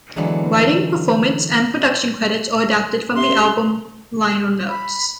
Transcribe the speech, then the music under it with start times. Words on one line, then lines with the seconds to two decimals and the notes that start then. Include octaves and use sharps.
Writing, performance and production credits are adapted from the album liner notes.
0.16 D3 E3 F#3 G#3 B3 D4
3.15 C#4 G4 E5 C6
4.69 B5